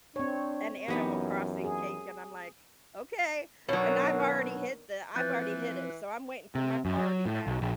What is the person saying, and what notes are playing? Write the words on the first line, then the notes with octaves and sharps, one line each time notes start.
an animal crossing cake," and I'm like, "Okay," and I've already hit the I've already hit it, so I'm waiting for my party now.
C4 D4 C#5
F#2 E3 B3 D#4 G4
G#4
B2 D#3 F#3 B3 D4 C#5
E3 F3 C4 B4 F#6 G6 A6
C3
F#2
F#3
A2
B1
A#1